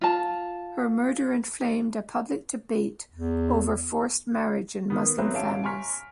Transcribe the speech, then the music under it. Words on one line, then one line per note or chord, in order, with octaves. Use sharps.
Her murder inflamed a public debate over forced marriage in Muslim families.
F4 A5
E2
D#3 B3
F#3 A3 B3 C4 B4 E5
A1 C#4 E5 F5 A5 D7
G#5 A#5 C6 C#6 F6 B6